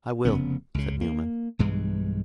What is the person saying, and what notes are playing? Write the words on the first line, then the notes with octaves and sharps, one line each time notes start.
'I will,' said Newman.
F1 C#3 B3
C#2 C#3
A#3
B1 G2 E3 G#3